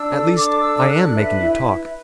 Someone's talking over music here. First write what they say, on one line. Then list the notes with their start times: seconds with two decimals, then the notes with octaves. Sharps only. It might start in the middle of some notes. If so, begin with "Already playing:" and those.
At least, I am making you talk!
Already playing: D4 E6
0.09 A4
0.35 D4 D6
0.62 A4 E6
0.88 D4 F#6
1.14 B4 E5
1.41 E4
1.54 E5
1.67 B4